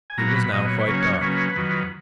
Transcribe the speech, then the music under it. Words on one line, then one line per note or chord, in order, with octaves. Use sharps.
It was now quite dark.
G#5
A#2 F#3 B3 A#5
B5
A#2 F#3 B3 D#5
C#5
B4
C#3 F#3 A#3 C#4
C#5
C#3 F#3 A#3 C#4 B4
F2 D#3 F#3